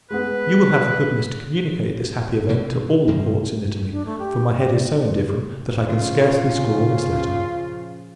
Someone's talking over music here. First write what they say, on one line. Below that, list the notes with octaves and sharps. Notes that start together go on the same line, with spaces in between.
You will have the goodness to communicate this happy event to all the courts in Italy; for my head is so indifferent, that I can scarcely scrawl this letter.
G#3 B3 B4
B2 D3 F3
G2 C3 G3 G#3
D4
A3
G4
G4
D5
A#2 C#3 F3 F4